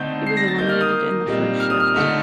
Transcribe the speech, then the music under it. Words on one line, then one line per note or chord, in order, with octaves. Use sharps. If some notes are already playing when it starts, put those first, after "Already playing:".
He was eliminated in the first shift.
Already playing: D3 A3 C4 D#4 G6
C7
A#6
A6
D#3 A#3 D#4 G6
F6
D#6
A#2 G3 C4 D#4
F6
D#6
F6
D3 A3 D#4